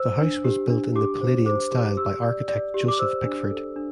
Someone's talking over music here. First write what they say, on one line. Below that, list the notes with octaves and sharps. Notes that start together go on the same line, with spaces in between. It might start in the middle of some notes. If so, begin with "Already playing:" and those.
The house was built in the Palladian style by architect Joseph Pickford.
Already playing: C5 E6
D4
G4
D4
G4 D6
C5
C5 D6
G4
G4 E6
D5
D5
G4
D6
C5 E6
D4
A4
D4